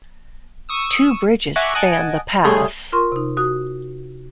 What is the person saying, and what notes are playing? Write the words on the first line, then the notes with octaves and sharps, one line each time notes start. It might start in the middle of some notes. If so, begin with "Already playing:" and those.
Two bridges span the Pass.
C#6 D#6 E6
E5 F#5 G#5 A#5 C#6 D6
D#5 F#5 G#5 A5 D7
G3 A3 G#4 C#5 C6
F4 A#4 C6 C#6
C3 D#4
F#4 D#6